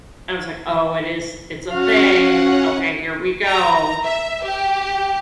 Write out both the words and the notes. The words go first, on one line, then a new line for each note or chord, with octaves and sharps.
I was like, "Oh, it is it's a thing. Okay, here we go."
C#4 F#4 F5 F#5
A#5
E5
G4